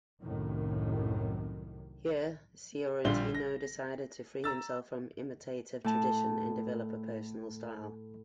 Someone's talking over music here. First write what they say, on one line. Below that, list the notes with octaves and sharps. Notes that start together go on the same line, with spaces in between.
Here Sciortino decided to free himself from imitative tradition and develop a personal style.
C2 F#2 A2 C3 D#3
A#1 D3 G3 F4 G7
A#6
A#5 E6 A6
A2 A5